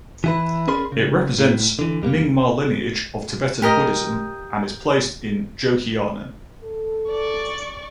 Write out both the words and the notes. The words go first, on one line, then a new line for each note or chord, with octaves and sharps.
It represents Nyingma lineage of Tibetan Buddhism and is placed in Jokioinen.
E3 E4 B4
C#4 G#4 A#4 D5 B5 C6
C#3
A2
D3 E3
F2 G3 A3 A#3
G4 A#4 D#5
A4
D5 C#6